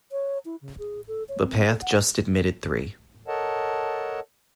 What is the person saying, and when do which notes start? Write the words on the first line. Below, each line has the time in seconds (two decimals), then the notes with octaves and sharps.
The path just admitted three.
0.11 C#5
0.45 E4
0.61 C#3
0.79 G#4
1.07 A4
1.29 C#5
1.45 C4
1.67 A4
1.81 F#5
3.28 A4 A#4 C#5 D#5 F#5 A5